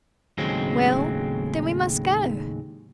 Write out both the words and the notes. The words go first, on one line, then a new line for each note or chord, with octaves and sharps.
"Well, then we must go!"
D#2 A2 C#3 F#3 G#3 C4